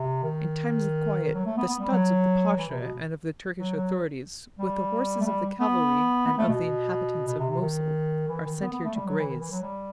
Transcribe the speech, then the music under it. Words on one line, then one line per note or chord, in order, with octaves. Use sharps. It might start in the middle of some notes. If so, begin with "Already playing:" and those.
In times of quiet, the studs of the Pasha and of the Turkish authorities, with the horses of the cavalry and of the inhabitants of Mosul, are sent here to graze....
Already playing: C3
D#3
D#3
F#3
A3
B3
B3
G3
F#3
E3
C3
B2
F#3
F#3
G3
A3
G3
B3
B3
A3
B2
B2
C3
C3
D#3
E3
D#3
B3
B3
A3
G3
F#3
E3
D#3
E3
F#3
G3